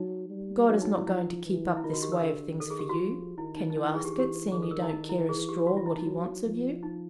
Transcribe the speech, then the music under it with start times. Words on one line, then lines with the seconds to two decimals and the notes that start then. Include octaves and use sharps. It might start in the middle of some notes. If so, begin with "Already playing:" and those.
God is not going to keep up this way of things for you; can you ask it, seeing you don't care a straw what he wants of you?
Already playing: F#3 D#4
0.30 G3
0.68 F#3 D4
0.82 D#4
0.95 E4
1.07 F3 E4
1.46 E3
1.77 E4
1.84 D#3 F4
1.93 F#4
2.02 G4
2.12 A#4
2.22 D3
2.60 D#3 A4
2.70 G#4
2.79 G4
2.89 F#4
2.98 F3
3.38 D#3 E4
3.56 D#4
3.70 D#4
3.76 E3 D4
3.85 D#4
3.95 G#4
4.05 G4
4.12 E3 G#4
4.19 G4
4.52 D#3 G#4
4.62 A4
4.71 A#4
4.82 E4
4.90 D#4
5.09 E4
5.29 E3 G#4
5.49 G4
5.67 E3 F#4
5.77 F4
5.86 E4
5.97 D#4
6.06 F#3
6.44 F3
6.83 D#4